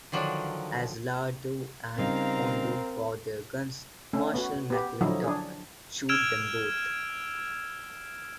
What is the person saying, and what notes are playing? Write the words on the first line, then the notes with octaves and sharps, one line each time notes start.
As Laredo and Hondo draw their guns, Marshal McClintock shoots them both.
D3 D#3 F3 F#3 D4
C#3 G3 C4 D#4 A#4 F5 A#5
A3 C#4 A4
B3 F#4
B3 G4
D3 F3 F#3 D#4 E4
D4 G#4
E6 F6 G#6 D7 E7 F7